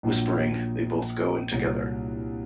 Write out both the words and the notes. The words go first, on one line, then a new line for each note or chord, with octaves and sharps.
Whispering, they both go in together.
A#1 A#2 F#3
C2 A#2 F#3